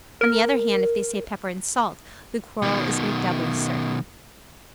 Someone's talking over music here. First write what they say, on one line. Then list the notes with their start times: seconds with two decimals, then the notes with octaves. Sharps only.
On the other hand, if they say "pepper and salt," the quarrel is made doubly certain.
0.21 A#4
2.62 B2 D#3